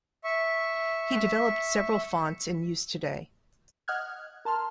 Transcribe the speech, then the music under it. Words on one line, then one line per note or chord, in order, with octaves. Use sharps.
He developed several fonts in use today.
E5 C#6
D#5 F#5 F6 F#6 G#6
A#4 A5 C6 F6